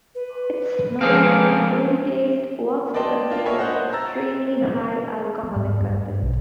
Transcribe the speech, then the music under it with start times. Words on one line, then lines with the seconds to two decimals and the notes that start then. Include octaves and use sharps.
Its smooth, fruity taste works to conceal its extremely high alcoholic content.
0.15 B4
1.01 F3 G#3 A#3 C4 G#4 A4 F5
2.94 B4 D5 D#5 G5 A5 C6
3.30 A#3 D4 F4
3.45 C#5 D#5 E5 G#5 A5 B5
3.58 C5 D#5 F#5 F#6 G6
3.93 A#5 E6 A6
5.43 B3
5.56 G#2
5.81 G2
6.22 B1